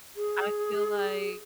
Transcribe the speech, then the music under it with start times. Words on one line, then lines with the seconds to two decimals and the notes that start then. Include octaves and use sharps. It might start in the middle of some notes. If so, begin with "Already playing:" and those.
I feel like
0.16 G#4